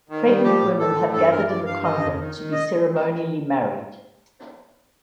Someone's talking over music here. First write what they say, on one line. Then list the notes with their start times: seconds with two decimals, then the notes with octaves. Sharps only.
Pregnant women have gathered in the convent to be ceremonially married.
0.09 D#3
0.27 G3
0.43 F3 G4
0.61 A2
0.79 A2 A4
0.96 A2
1.13 G2 A4
1.30 G2 A#4
1.48 G2 D5
1.66 G2 F5
1.82 D#3 D#5
2.00 F2
2.18 D#3
2.35 D#3
2.52 D#5